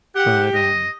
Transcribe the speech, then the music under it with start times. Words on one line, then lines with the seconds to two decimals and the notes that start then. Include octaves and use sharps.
But, um,
0.16 G4 F#5
0.55 D#5